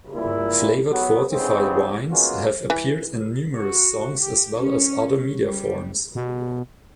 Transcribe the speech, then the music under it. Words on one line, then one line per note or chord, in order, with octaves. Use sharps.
Flavored fortified wines have appeared in numerous songs as well as other media forms.
A#2 E4
F#3 B3
F2 G#2 C#3 G3 B3 C4
G#3 A#3 B3 C#4 F4 F#4
E3
F#4
G4
C#4
G3
B2